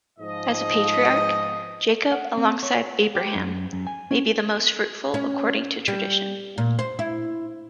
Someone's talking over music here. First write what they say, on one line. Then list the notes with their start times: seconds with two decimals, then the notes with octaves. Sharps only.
As a patriarch, Jacob, alongside Abraham, may be the most fruitful according to tradition.
0.19 G#2 F3 D#5
2.12 F#5
2.38 C4
2.63 C#5
3.15 G4
3.35 F#2
3.73 F#2
3.87 G#5
4.11 C#4
5.14 C#4
5.88 G3
6.58 A#2
6.79 C5
6.99 E4